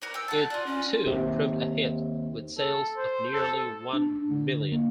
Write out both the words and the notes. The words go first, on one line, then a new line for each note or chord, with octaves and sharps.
It, too, proved a hit, with sales of nearly one million.
F#4 A#4 D5
G5 E6
F#5 A5
F4 F#4 D5
C#4
D#2 C3
A4
C5
A4
D4
D3
A#3